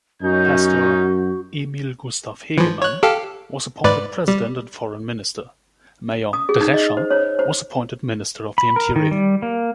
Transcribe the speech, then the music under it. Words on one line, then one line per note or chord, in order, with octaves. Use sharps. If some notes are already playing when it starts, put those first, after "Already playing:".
Pastor Emil Gustav Hegemann was appointed President and Foreign Minister, Mayor Drescher was appointed Minister of the Interior.
F#2 C#4 D#4 F#4 G6
E3 F3
C#5 F#6
G4 A4 F5
G#2 B4 D5
G3
D#6
G#4
D#4
D#5
C5
C#5
C5
B5
A#4
D#3
G3
A#3